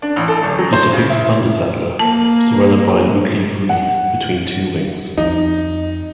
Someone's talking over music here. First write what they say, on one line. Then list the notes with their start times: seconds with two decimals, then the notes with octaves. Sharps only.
It depicts the "Bundesadler" surrounded by an oak leaf wreath between two wings.
0.02 D4
0.16 A1
0.28 A4
0.43 D1
0.59 F#3
0.73 C5
0.93 C#3
1.09 E4
1.99 A#3 A5
3.69 F#5
5.17 F2 D#4